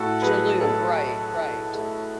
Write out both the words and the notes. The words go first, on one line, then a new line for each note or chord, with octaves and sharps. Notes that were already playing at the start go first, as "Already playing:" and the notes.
Shalhoub, right, right.
Already playing: A2 F#4 A4
F#3 G#4 B4
B1 A4 C#5
A3
B1
A3